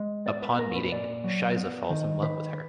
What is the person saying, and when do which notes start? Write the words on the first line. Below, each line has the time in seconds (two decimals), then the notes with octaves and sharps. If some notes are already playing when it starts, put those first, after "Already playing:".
Upon meeting, Shiza falls in love with her.
Already playing: G#3
0.26 B3 D5
0.42 B4
0.59 A#2 A#4
0.76 B4
0.92 A#2 D5
1.24 F#3
1.57 B3
1.90 D#3
2.22 D#3 B4